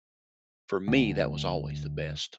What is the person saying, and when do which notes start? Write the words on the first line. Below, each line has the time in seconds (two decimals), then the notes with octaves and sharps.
For me, that was always the best,
0.88 D2